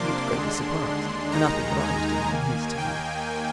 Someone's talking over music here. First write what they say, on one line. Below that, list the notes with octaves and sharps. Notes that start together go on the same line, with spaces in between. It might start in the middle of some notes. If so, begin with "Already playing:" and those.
He looked greatly surprised and asked me what I was doing in his town.
Already playing: C3 F3 A#3 D4 C6 D6
D#2 D3 G#3 D4
D#2 D#3 G#3 D#4 A#5
G#5
D#2 D#3 A#3
G5